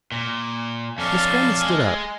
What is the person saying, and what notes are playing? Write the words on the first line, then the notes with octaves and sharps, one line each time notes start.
Miss Grammont stood up.
A#2
F2 C#4 A4 D5 F5
G#3 G#4